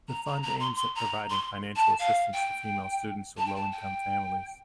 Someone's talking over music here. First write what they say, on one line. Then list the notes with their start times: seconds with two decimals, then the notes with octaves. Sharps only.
The fund aims at providing financial assistance to female students of low income families.
0.08 A#5
0.26 A#5
0.43 A#5
0.60 C6
0.75 C6
0.95 A#5
1.30 C6
1.76 A5
1.99 F5
2.33 G5
3.37 A5
3.46 G5
3.55 A5
3.72 G5